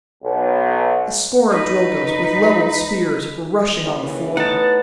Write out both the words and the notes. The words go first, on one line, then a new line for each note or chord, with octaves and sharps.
A score of Drilgoes, with leveled spears, were rushing on the four.
B1
D#4 B4
D#2 C#3 E3
A2 B3 D#4 F#5 A5